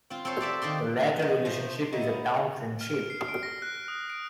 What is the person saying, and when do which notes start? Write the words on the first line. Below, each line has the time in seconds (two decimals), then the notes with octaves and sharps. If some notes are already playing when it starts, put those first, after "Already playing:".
The latter relationship is a "town friendship".
0.10 C4 F4
0.25 C4 A4 C5 C#5
0.41 A4 D5 E5
0.62 D#3 A#3 D5 C6
1.19 F#3 D#4
1.45 F3 A3 C5
1.93 F#3 D#4 E4
2.81 F6
2.95 D7
3.10 C7
3.28 D7
3.43 A#6
3.62 F#6
3.88 D#6
4.10 D7